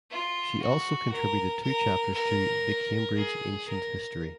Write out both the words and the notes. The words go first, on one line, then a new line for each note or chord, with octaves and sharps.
She also contributed two chapters to "The Cambridge Ancient History".
F4
F#4
A#4
A#4
A#4
G#4
A#4